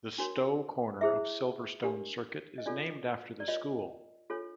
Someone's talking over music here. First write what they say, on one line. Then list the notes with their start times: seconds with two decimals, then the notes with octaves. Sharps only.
The Stowe Corner of Silverstone Circuit is named after the school.
0.18 D4 F#4 A#4 C#5
1.01 E4 G#4 C5 E5
1.83 D4 G4 A#4
2.58 D#5
2.66 D4 F4 A4 C#5 D5
3.40 D5
3.48 F4 A#4 C#5 D#5
4.30 D4 F4 A4 C#5